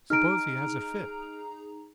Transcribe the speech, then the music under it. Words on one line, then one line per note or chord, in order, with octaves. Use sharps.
"Suppose he has a fit!"
D#4 G#4 A#5 F6 D7